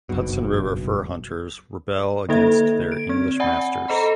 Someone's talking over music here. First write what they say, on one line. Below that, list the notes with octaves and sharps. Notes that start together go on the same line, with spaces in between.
Hudson river fur hunters rebel against their English masters.
F#1 B1 G2 B2
D3 A#3 A4 E5 G#6
D7
C4 G#6
D5 F#5 G#5 B5
A4 C5 D#5 A#5 B5